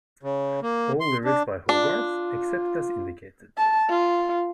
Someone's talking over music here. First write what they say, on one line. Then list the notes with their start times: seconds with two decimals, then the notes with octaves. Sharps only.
All lyrics by Hogarth except as indicated.
0.23 C#3
0.62 A#3
1.01 C6
1.25 D4
1.69 D4 F4
3.58 A5
3.89 F4